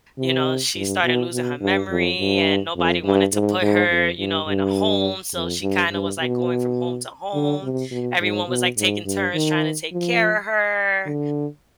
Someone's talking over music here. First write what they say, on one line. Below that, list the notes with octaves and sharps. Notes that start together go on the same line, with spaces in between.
you know, she started losing her memory and nobody wanted to put her, you know, in a home, so she kinda was, like, going from home to home, everyone was, like, taking turns trying to take care of her
C3
G2
B2
B2
G2
F2
G2
F2
G2
G#2
G#2
F2
G2
G2
F2
G2
G2
B2
D3
C3
B2
G#2
B2
G#2
G2
D#3
F3
D3